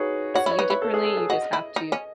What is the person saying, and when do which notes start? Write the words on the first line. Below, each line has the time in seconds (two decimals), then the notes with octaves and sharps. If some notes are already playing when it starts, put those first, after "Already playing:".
see you differently. You just have to
Already playing: D#4 F#4 G#4 B4 C#5
0.34 F#4 C#5
0.46 E4
0.51 C#5
0.59 D#4 B4
0.70 E4
0.82 A4
0.94 G#4
1.05 A4
1.17 G#4
1.30 F#4 D#5
1.53 E4
1.76 D#4
1.92 C#4